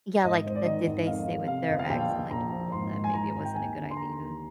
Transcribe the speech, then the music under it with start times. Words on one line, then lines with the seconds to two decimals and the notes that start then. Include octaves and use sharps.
Yeah. Like, th did they stay with their ex and, like, you told them maybe it wasn't a good idea?
0.24 G#1 D#5
0.45 G#2 C5
0.55 D5
0.65 D#3 D#5
0.86 G#1
1.07 F2 F5
1.28 F2
1.47 C3 F5
1.68 G1 D#5
1.79 F5
1.90 A#1 G5
2.10 A#2
2.31 A#1 A#5
2.52 F3
2.72 G#1 C6
2.93 G#2
3.04 G#5
3.14 G#1 A#5
3.35 G#1
3.45 G5
3.55 D#2 G#5
3.76 D3
3.91 C6
3.97 D#2 A#5
4.18 D#2